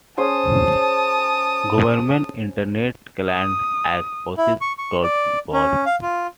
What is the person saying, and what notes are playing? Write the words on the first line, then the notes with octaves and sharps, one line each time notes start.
Government Internet clients as "osis dot gov".
C#4 G#4 C5 A5 D#6
D#6
E4
C#6
C#6
D5
C#4
F5
F4